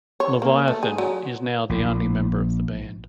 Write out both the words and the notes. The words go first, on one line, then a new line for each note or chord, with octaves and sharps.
Leviathan is now the only member of the band.
C#5
A#3
A3
G#4
F#3
A#1